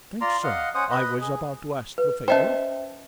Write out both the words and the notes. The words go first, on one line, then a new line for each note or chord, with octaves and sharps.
"Thanks, sir; I was about to ask the favour."
F4 D5 A#5 C6
D#5 F5 F#5
C#4 C5 F#5 D#6
B4 D#5
G#4
B4
C#4 C5 D#5 E5 G5 A5